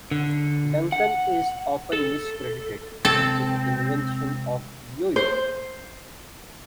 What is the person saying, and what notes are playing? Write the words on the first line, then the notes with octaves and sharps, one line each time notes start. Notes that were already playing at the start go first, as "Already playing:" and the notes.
Duncan is often miscredited with invention of the Yo-Yo.
D3
F#5
A4
C3 G#3 C4 A4
C5